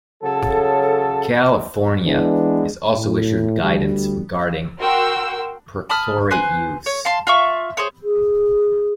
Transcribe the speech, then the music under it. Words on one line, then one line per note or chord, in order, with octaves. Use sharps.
California has also issued guidance regarding perchlorate use.
C#3 F#3 A4
E3 G#3 B3 D4
A2
D2 G3
F#4 A#4 F#5 G5 C6 E6
A5 B5 D#6 F6
B4 C5 G#5 F#6
C#5
F5 A5 C6
F4 E5 C#6
G#4 C5 C#5
G#4